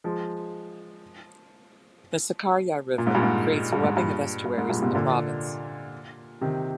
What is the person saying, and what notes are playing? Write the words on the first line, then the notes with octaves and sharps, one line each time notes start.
The Sakarya River creates a webbing of estuaries in the province.
F3 G#3
A#2
G#2
G2 A#2
G#2
G2
G#2
G2 A#2
G2
G#2
G2 A#2
G#2 C3
A#2 D3
C3 D#3